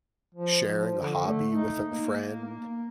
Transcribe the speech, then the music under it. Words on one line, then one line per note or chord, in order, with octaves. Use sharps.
sharing a hobby with a friend
F3
F3
D3
A3
D#4
A#3
A#3